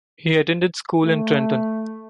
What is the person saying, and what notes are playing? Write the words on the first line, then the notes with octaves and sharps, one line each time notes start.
He attended school in Trenton.
A3